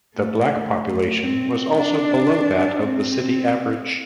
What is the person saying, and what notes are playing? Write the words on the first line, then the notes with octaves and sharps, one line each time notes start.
The black population was also below that of the city average.
A3
C4
D4
C4